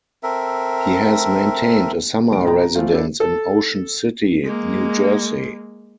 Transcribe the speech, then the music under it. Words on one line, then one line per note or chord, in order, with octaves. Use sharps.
He has maintained a summer residence in Ocean City, New Jersey.
C4 A4 A#4 E5
F1 G3 D7
B2 B3 D#5 G5 A#5
A#5
E3 F3 A3 C4 F4
B3 D4 E4 G4 A4 B4
A4
G#3 A#3